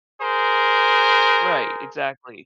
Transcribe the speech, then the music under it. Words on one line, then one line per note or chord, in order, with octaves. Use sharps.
right, exactly.
G#4 A#4 C5